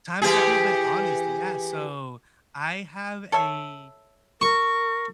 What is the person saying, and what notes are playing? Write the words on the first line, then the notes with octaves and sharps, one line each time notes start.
times that people been honest, yeah. So, I have a
E3 G4 G#4
A4 C#5 E5
A#4 C#6